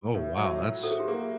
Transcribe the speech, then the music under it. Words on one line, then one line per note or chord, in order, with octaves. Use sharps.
Oh, wow. That's
A2
F#3
A2
F#4 A4
G#4
G4
A#3 G#4